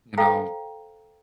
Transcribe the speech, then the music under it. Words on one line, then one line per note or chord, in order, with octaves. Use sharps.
you know,
A4 C5 F5 G5 A#5